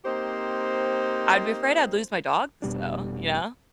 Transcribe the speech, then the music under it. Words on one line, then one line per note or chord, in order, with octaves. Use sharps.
I'd be afraid I'd lose my dog, so, you know.
A#3 C4 D#4 G4 C5
F1 B2 G3 D4